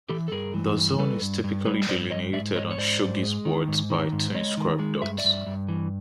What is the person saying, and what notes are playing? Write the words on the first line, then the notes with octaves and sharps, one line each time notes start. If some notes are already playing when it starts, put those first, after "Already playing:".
The zone is typically delineated on shogi boards by two inscribed dots.
E3 G4 A4
A4
G2 G#4 A#4
E3
G2
G3 A4 B4
G2
G2
G3 B4 C#5
G2 C5 D5
G2 C#5 D#5
G#2 D5 E5
G#2 C#5 D#5
C#5
G#2 C5 D5
G#2
G#3
D#3
G#2
D#3
G#2
G#3 C#5 D#5
D#3
G#3
G2 E5
D5 E5
G2
G2
E3